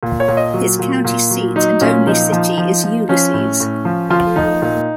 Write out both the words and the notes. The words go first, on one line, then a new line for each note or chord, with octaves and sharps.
Its county seat and only city is Ulysses.
A#2
C#5
A#2
D#5
F#3
A#2
A#2
F#3
F#3 D#4
A#2 C#4
F3 D#4
F3
F3
F3
F3 C#4
A2
A2
F3
F3 F4
F3 D#4
A#2 D#4